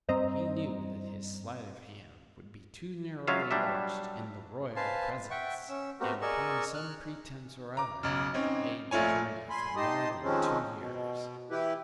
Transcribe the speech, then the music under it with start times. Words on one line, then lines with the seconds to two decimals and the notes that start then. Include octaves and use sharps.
He knew that his sleight of hand would be too narrowly watched in the royal presence; and upon some pretence or other he delayed the journey for more than two years.
0.09 G2 C4 C5 D#5 A#5
3.27 F#3 G#3 C#4 F4 E5 F5
3.51 F#3 G3 D4 E5
4.76 B4 C5 F5 G#5 A5
5.31 E5 F#5 G5 C#6
5.69 C#4 E6
6.00 A3 B3 C4 F#4 G4 A#4
6.22 G#4 A#4 D5 D#5 C#6 E6
6.74 F6 F#6
7.77 A#5 D6
8.03 B1 C#3
8.34 C4 C#4 D#4
8.91 A#1 A3 F4 C#5 G#5
9.50 G#5 B5 C6
9.76 D#4 G4 D#5 A5 C6 D#6
10.23 D#3 F3 G#3 C4 C#4
10.73 B2
11.51 E3 E4 G4 B4